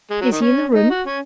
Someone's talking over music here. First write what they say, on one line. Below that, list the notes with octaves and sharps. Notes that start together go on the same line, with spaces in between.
Is he in the room?
G#3
F#3
D#3
C#4
D#4
F#4
C#4